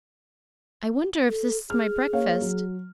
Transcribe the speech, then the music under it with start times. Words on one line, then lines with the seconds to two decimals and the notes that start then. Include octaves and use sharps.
"I wonder if this is my breakfast?"
1.29 A4
1.70 G#4 F6
2.13 A#3 C#5 F5
2.41 F#3